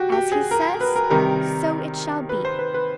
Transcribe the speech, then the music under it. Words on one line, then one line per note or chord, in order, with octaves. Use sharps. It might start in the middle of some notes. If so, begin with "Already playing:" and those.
As he says, so it shall be.
Already playing: F#4 G4
G4
G#4
A#4
B4
A#4
C3 D#3 G3 A#4
B4
C5
B4
B4